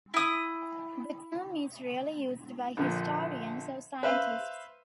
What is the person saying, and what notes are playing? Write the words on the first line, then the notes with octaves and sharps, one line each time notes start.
The term is rarely used by historians or scientists.
E4 D#6
A#1 D3 F3
B4 C5 E5 F5 E6